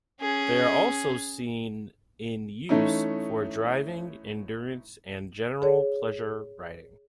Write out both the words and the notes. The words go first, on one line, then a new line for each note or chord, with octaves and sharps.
They are also seen in use for driving, endurance and general pleasure riding.
C#4 G#4
E3 A3 C#4 D#4
G#4 C#5